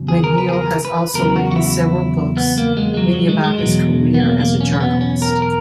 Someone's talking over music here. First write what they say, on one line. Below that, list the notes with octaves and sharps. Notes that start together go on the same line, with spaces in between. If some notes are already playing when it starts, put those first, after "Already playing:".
MacNeil has also written several books, many about his career as a journalist.
Already playing: E2 C#3 F#3
G#4
A#4
B4
G#4
A#4
B4
E2 C#3 F#3 A#4
F#4
F#4
E4
B3
A#3
G#3
G#3
F#3
F#3
G#3
G#3
E2 B2 F#3
B3
A#3
A#3
C#4
C#4
B3
C#4
A#4
A#4